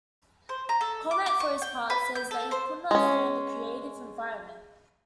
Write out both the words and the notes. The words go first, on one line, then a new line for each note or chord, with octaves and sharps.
Chomet, for his part, says that he could not stand the creative environment.
C5
A#5
A4
D6
D6
C#6
G5
B4
G6
A4
C5
G#3 C#4